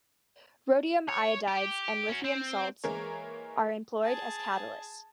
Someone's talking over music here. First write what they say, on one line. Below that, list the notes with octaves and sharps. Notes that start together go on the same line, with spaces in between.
Rhodium iodides and lithium salts are employed as catalysts.
C#5
G4
C#4 F#4
C4
E3 G#3 A#3 A#4 C#5
G#4 A5